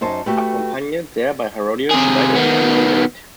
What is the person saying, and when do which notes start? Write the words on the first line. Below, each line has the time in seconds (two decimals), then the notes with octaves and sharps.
Accompanied there by Herodias, he died at an unknown date.
0.01 F#2 D#4 C5 A5
0.26 A3 F#4 G4 A4 B4
1.91 C3 G#4
2.36 D#3 B3